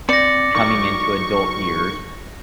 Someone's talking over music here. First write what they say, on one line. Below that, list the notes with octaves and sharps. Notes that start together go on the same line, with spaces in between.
coming-into-adult years,
C4 D5 A#6 C#7
F#3 D#4 A#4 C#6